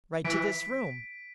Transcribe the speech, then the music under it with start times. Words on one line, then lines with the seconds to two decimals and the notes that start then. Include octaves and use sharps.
"Right to this room!"
0.24 E3 B6 D7